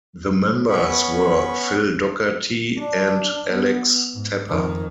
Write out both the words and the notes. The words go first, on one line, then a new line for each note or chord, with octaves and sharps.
The members were Phil Dockerty and Alex Tepper.
B3 C#4 B5 C#6
D4
B3
G#2
F2 D#3